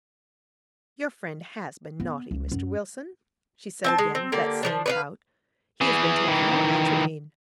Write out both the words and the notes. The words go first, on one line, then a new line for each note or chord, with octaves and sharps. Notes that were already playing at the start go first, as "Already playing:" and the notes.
'Your friend has been naughty, Mr. Wilson,' she said again with that same pout: 'he has been taking more atropine.'
B3
C#2
F#2
C4 G#5 A5
G#3
C4
D3 A#3 G4
F3 G3 D4
B4 D5 F5
E3 G#4
D#3 E3